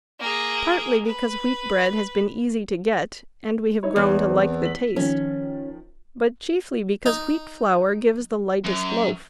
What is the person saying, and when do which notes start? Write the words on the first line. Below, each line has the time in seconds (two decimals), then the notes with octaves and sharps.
Partly because wheat bread has been easy to get and we have grown to like the taste, but chiefly because wheat flour gives the lightest loaf.
0.20 A#3 G#4
1.06 B4
3.83 D#4 E4 C#5
3.96 E2
4.30 C4
4.63 B6 F#7
4.96 D#3 F3 C#4
7.06 D#4
8.64 F#2